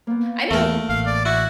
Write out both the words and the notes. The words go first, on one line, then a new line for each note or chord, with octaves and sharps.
I know
A#3 B3
E2 A3 A#4
A1 F5
D5
E4 F#4